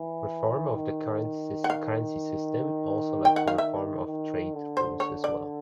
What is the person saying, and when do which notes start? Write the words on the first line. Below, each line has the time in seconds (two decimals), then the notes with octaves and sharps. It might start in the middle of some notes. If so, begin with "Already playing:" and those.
Reform of the currency system also led to reform of trade rules as well.
Already playing: E3
0.75 D#3
1.64 F#5
1.70 F5
3.25 G5
3.36 F#5
3.47 F5
3.58 D#3 E5
4.06 D#3
4.53 D3
4.77 C5
5.00 C#5
5.24 D5